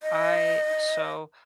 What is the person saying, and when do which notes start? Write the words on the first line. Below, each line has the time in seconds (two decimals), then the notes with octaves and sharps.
I so,
0.03 D#5